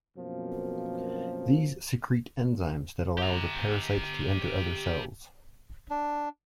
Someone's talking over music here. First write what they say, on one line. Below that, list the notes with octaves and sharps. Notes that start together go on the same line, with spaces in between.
These secrete enzymes that allow the parasite to enter other cells.
F#2 B2 F3 A#3 C4
G4 A#5
D4